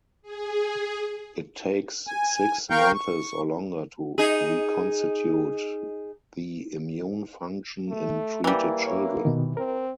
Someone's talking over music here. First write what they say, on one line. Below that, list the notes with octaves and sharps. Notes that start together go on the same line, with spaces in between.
It takes six months or longer to reconstitute the immune function in treated children.
G#4
G#5
A#4 F5 G5 C#6 G6
C#6
D#4 G#4
A3
E3 G3 A#3
C#5 E5
B2 D#3
C4 A#4